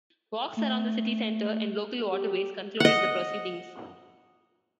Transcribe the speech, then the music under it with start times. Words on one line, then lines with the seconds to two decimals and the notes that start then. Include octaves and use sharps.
Walks around the city centre and local waterways concluded the proceedings.
0.57 A3
2.11 G4
2.80 D#5 F#5